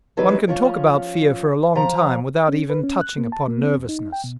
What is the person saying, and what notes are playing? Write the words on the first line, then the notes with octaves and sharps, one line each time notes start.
One can talk about fear for a long time without even touching upon nervousness.
E3 F#3 G3 D#4 B4
F3 C#4 F4 C#5
F3 A#5
C#4
B4
C#4
F#6
A#3
A5
A#3
C4
E2
D#4
G5
B2